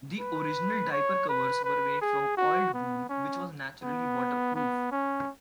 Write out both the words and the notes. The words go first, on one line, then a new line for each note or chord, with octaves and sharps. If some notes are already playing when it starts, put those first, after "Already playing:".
The original diaper covers were made from oiled wool, which was naturally waterproof.
B4
C#5
B4
B4
G#4
F#4
B3
C#4
B3
B3
C#4